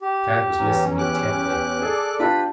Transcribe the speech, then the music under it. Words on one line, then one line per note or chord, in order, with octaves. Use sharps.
Tad was listening intently.
G4
E2 E3 C#4 A#5
G4 D6 F#6
G#4 A4 D5
D4 F4 G4 B4 A5 B5